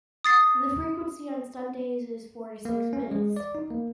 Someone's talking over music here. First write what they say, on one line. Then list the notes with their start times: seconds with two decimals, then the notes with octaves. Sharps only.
The frequency on Sundays is four to six minutes.
0.24 D#6 A6 C7
2.65 A#3
2.93 C#4
3.11 G#3
3.36 D5
3.55 D#4
3.70 A#3